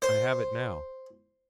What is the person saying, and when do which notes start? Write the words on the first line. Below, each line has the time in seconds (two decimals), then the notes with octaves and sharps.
I have it now.
0.02 C5